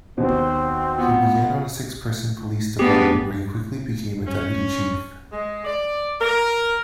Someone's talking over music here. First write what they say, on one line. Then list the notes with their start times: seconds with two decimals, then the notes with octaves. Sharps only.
He began on six-person police department where he quickly became a deputy chief.
0.18 D#2 B2 C4 C5
0.98 B3 F4
2.79 B3 D4 G4 G#4
4.26 C#4
5.31 G#3
5.65 D5
6.20 A#4